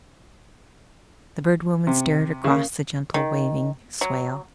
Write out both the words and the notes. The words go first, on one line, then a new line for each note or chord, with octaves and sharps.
The Bird Woman stared across the gently waving swale.
C3
C#3 A#3
D#3
F#3